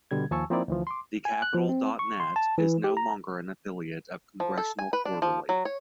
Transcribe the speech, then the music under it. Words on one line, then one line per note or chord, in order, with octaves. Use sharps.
TheCapitol.Net is no longer an affiliate of Congressional Quarterly.
B2 D3 G3 G#6
D#2 F3 G#5 A5 C#6 E6
F3 A#3 C4 D#4 E4 D5
D2 E3 F3
C6 D6
G#5
F#6
F3
C4
C#6
C6
A5
E3
G4
A#5
F3
A4
G#5
B4
D4
F3
F#3
C#5